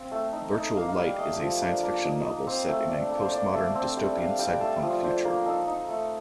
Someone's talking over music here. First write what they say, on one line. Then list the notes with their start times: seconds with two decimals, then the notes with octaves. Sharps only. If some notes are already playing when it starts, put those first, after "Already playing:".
"Virtual Light" is a science-fiction novel set in a postmodern, dystopian, cyberpunk future.
Already playing: C4 F5
0.12 A3
0.33 D#4
0.54 D#4
0.76 A#3 F5
0.89 F5
0.97 G3 G5
1.19 A3 D#5
1.33 G4
1.40 F3
1.61 D4 A#4
1.83 A#3
2.05 D#4
2.26 D#4
2.47 C4 C5
2.68 A3
2.90 D4
3.11 A#3
3.21 C5
3.32 D4 D5
3.54 A3
3.75 C4
3.97 G3
4.18 D4 F5
4.39 G3 G5
4.60 A3 A5
4.82 F3
5.03 D4 C5
5.25 A#3 A#4
5.46 D#4 A4
5.67 D#4
5.89 A3